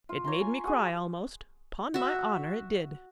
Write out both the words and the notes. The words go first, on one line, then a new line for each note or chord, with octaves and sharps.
"It made me cry almost; 'pon my honour it did."
F4
C#5 A#5 C6
G#5
F#4 G#4
F#4 E5